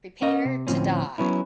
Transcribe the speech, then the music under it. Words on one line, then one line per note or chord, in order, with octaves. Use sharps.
Prepare to die.
C#4 A#4 D#5
C3
D2 A2 D3 F3 C4 C#4
F#3 B3 C#4 E4